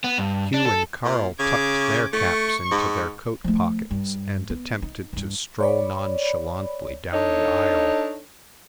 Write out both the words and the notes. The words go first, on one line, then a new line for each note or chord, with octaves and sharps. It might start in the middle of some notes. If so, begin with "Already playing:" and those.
Hugh and Carl tucked their caps into their coat pockets and attempted to stroll nonchalantly down the aisle.
B3
G2
D4
A4
A#2
C#3 D6 G#6
A3 C#6
G#2
F3 A3
G2
B3
D#4
G2 E3
C#5 D5 B5
D4 D#4 A4 C#5